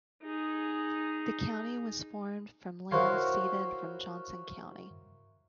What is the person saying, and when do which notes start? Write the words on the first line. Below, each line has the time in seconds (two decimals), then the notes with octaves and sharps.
The county was formed from land ceded from Johnson County.
0.22 D#4 G#4
2.91 E4 F#4 A#4 C5 C#5 F5